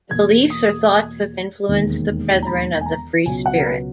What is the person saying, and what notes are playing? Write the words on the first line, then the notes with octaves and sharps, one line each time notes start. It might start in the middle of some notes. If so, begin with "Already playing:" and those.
The beliefs are thought to have influenced the Brethren of the Free Spirit.
E2 B2 A#3 G#6
D#6
E1 D#2 D#3 G#3
A#5
B5
G#5
A#5
C#2 B2 F#3 G#5
F#5
A#4
B4